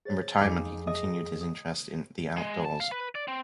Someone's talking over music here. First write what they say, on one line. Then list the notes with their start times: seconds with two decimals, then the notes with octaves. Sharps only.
In retirement, he continued his interest in the outdoors.
0.05 G#4 C5 C#5 A6
0.41 F2 D#4 G#4 G#5 D6
0.87 D#5
1.41 D#6
2.37 G#3
2.64 A5
2.80 F5
2.91 B4
3.15 D5
3.28 C4